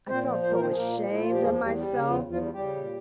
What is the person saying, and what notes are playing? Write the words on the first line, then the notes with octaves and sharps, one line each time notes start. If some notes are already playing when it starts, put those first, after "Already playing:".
I felt so ashamed of myself.
A#2 C4 C5
F3
A#2 C5
A#4
F3 C4 C5
G#4
A#2 A#3 A#4
F3
A#2 E4
F3 F4
G4
E2 G#3 G#4
E2
G3 G4
G3
C#3
E2 F3 F4
E2
F3 F4
G3
G3 G4
C#3
A#2